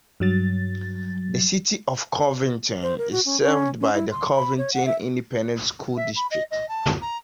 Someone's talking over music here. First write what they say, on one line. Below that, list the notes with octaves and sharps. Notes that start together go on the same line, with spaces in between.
The City of Covington is served by the Covington Independent School District.
G2 F#3 A6
C5
A#4
F#4
C#4
C#4
C#4
E4
C6
B5
C#5
F#5
E5
E5
B5
D#5
D#5
A5
A#5